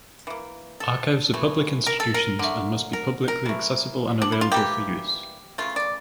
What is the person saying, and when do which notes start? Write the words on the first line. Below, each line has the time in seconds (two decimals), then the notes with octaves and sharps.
Archives are public institutions and must be publicly accessible and available for use.
0.27 E3 A#3
0.80 A4
1.34 E3 A3
1.87 A#4
2.00 A4
2.14 A#4
2.39 D3 A3
2.93 A#4
3.28 A#4
3.46 E3 A3
4.22 D4
4.32 E4
4.41 F4
4.52 E3 G3 A#3 G4
5.58 C#3 E3 A3 F4
5.76 D5